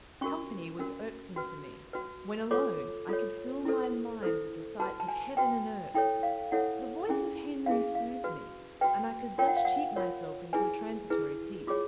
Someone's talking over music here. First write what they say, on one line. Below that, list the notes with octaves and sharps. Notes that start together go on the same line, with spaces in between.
Company was irksome to me; when alone, I could fill my mind with the sights of heaven and earth; the voice of Henry soothed me, and I could thus cheat myself into a transitory peace.
C#4 F#4 A#4 C#6
C#4 F#4 A#4
F#4 B4
F#4 B4
F4 A4 C#5 D6
F4 A4 C#5
E4 A4 C5
E4 A4 C5
F#4 B4 A5
A5
G#5
F#4 B4 G5
E4 A4 C#5 G5
F5
E4 A4 C#5 F#5
C#4 E4 G#4
C#4 E4 G#4 F5
F5
F#4 B4
F#4 B4 G5
F4 A#4 C#5 G5
F#5
F5
F#5
F4 A#4 C#5
E4 G#4 B4 G#5
E4 G#4 B4
F4 G#4 C#5 D6